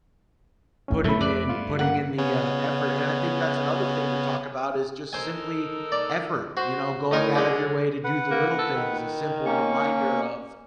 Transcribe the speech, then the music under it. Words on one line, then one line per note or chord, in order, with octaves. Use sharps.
putting in putting in the, uh, effort, and I think that's another thing to talk about is just simply effort; you know, going out of your way to do the little things, a simple reminder of,
A2 C#4
F#2 B2 F3 A3 B5
F2 B4 D5
G2 F4
D3 A#3 F#5
C#3 B3 C#4
D#4 A4 A#4 C5 G#5
D5
F#4 C5
A2 D#4 A#4 G#5
D3 F#3 G#3 C#4 G#4
B4 F#5
A#3
A4
D#3
A#3 C#4 C#6